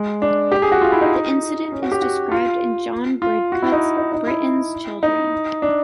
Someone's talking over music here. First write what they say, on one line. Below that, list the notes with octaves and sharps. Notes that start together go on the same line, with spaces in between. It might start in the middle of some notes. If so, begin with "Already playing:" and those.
The incident is described in John Bridcut's "Britten's Children".
Already playing: G#3
D4
G4
G#4
F#4
F4
E4
D#4
C#4
F#4
G4
F#4
F4
F4
F#4
E4
D#4
D#4
D#4
E4
D#4
D4